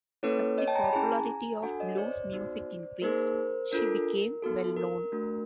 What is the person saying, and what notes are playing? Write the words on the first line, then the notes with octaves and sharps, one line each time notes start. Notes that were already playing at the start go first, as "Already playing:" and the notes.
As the popularity of blues music increased, she became well known.
A#3 C#4 E4 A4 B4 C#5
C#5 D#5
G5 A5
G#5 A#5
A5 B5
C#4 E4 G#4 G#5 A#5
D4 F#4 A4 F#5 G#5
C#5 D#5
C5 D5
B3 D#4 F#4
A#3 D#4 G#4 A#4 C5
D4 F4 A4 A#4
B3 D#4 F#4 A4
A#4
A3 D4 F#4